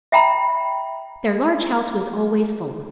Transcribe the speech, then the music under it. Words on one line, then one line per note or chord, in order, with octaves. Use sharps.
Their large house was always full.
E5 G5 A#5 B5